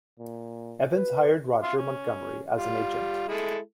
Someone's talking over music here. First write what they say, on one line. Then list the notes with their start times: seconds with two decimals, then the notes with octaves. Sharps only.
Evans hired Roger Montgomery as an agent.
0.19 A#2
0.95 B4
1.63 E5 F5 C6
1.76 C#4
2.56 G3 F4
3.28 G#3 E4 A4